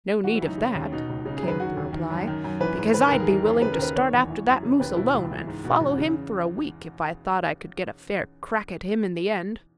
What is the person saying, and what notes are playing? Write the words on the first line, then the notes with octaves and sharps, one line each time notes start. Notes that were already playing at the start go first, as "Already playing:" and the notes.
"No need of that," came the reply, "because I'd be willing to start after that moose alone, and follow him for a week, if I thought I could get a fair crack at him in the end."
E3 F#4
E4
F#2
D#4
C#3 C#4
D#2 C#4
B2 D#4
C#2
C#3 D#4
G#4
F#2 B4
D#3 F#4
D#2
D#3
F#2
D#3
F#2
E3 B4
G#2
D#3 B4
D#2 A#4
G#4
E3 A#4
F#2
C#3 B4
A#4
D#2 B4
D#3 C#5
E2
E3
F#2
C#3
D#2 B4
B2 E4
C#2
E3
G#2
B2
E2
C#3